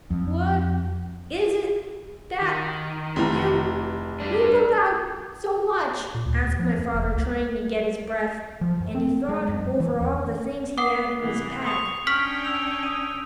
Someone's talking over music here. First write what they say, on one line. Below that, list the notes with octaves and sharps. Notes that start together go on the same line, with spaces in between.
"What--is it--that--you--weep about--so much?" asked my father, trying to get his breath, and he thought over all the things he had in his pack.
F2
D#3
F1 E3 A#5
G3 D4
A#2
D2
D#2
F3
F2
F#1
C#2
F3
F#2
C4
G#3
F#2
E3
E2
F#5 D6 D#6 C7
C3 E3
C6 C#6 D#6 F7
C#4 D4 G5 C#6 F6 B6
E6 F7
D#6 D#7